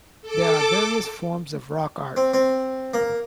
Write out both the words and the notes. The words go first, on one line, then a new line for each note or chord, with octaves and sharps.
There are various forms of rock art.
A4 D6
C4
C4
A#3